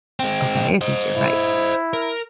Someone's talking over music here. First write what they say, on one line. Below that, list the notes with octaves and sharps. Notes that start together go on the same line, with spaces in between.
"Okay, I think you're right."
G#3 C4
C5 D#5
E4
A#4